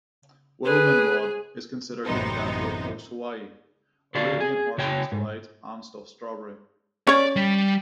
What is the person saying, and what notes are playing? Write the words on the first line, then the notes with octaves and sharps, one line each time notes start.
Wilmenrod is considered the inventor of Toast Hawaii, "Arabian Horseman's Delight" and "stuffed strawberry".
G#4 B4
A1 F#2 C3 B3 D#4 C5
D3 F#4 D5 F5
G#4
C#3 F#4 C#5 G5
G#2
C#4 C#5 D5
G3